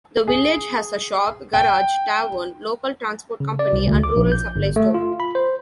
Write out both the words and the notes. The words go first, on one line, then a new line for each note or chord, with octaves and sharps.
The village has a shop, garage, tavern, local transport company and rural supply store.
G#4
G5
C#3
D5
C2
D2
D6
A#1
G6
G1
A3
F4
B5
C5